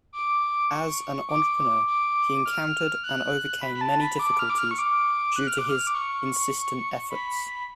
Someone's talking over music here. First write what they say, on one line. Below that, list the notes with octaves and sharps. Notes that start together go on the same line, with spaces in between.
As an entrepreneur, he encountered and overcame many difficulties, due to his insistent efforts.
D6
C#6
D6
D6
F6
F#6
B5
B5
A5
B5
D6
F6
D6
F6
C#6
D6
F#6
F6
D6
F6
D6
C#6
B5